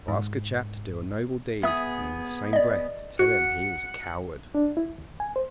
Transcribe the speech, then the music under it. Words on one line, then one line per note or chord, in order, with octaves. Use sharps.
To ask a chap to do a noble deed and in the same breath to tell him he is a coward!
G#2
B3 G#4 E5 D#6
D5 D#5
F#4 F#5
D4
E4
D#2
G#5
C5